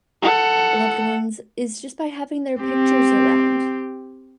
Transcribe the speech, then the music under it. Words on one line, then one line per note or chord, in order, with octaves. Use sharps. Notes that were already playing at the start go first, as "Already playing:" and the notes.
loved ones is just by having their pictures around.
A4 F#5
C4 G4